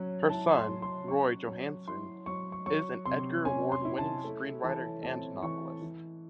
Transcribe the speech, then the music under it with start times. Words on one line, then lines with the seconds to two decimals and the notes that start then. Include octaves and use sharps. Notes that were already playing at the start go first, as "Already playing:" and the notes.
Her son, Roy Johansen, is an Edgar Award-winning screenwriter and novelist.
Already playing: F#3 C#4
0.29 E4 A5
0.56 C6
0.69 F#3
0.82 C6
1.08 C#4 C#6
1.48 F#3
1.88 E4 C6
2.26 F#3 C#6
2.52 C#6
2.66 F#3 C#6
3.05 C3 C6
3.45 C#4 G#5
3.72 C6
3.85 E4
3.98 A5
4.24 A3
4.64 E3 A5
5.03 C4 A5
5.42 E3 C#6
5.82 E3